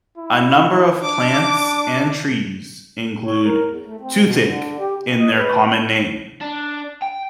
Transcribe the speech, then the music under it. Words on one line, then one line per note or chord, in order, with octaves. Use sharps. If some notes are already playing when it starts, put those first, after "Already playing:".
A number of plants and trees include "toothache" in their common name.
E4
D4 D6
C#5
A#4
E2
A3
C4
B2
D3
G4
C#3
D#5
B4
D4
G5